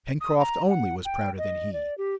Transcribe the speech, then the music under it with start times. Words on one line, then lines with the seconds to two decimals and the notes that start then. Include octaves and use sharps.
Pencroft only was prouder than he!
0.21 D#6
0.39 A#5
0.69 F#5
1.05 G5
1.38 D#5
1.73 D5
1.98 G4